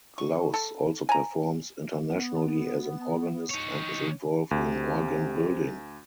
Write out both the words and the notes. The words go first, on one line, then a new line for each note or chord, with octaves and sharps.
Glaus also performs internationally as an organist and is involved in organ building.
C#6
A4
G#5 A#5
B3
D#4 C#5
D2 C3